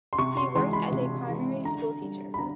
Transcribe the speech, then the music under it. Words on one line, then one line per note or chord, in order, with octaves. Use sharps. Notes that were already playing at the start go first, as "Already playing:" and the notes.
He worked as a primary school teacher.
C6
C3 C#6
C6
E3 G#3 C6
B5
C3
E3 G#3
D3 A#5
G3
B5
D3 A#5